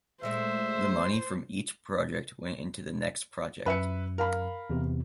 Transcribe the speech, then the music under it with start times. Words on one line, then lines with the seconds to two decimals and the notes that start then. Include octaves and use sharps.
The money from each project went into the next project.
0.23 A#2 G#3 A3 C5 E5
3.66 F#2 B4 E5 C#7
4.18 A#4 F5 B5
4.70 E2 C3